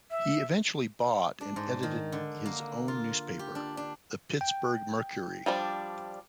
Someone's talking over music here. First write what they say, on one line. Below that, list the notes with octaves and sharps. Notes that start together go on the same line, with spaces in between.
He eventually bought and edited his own newspaper, the "Pittsburgh Mercury".
E5
D4
G#2
D#3
D3
A#3
F4
G4
D4
D4
G5
F3 G3 D4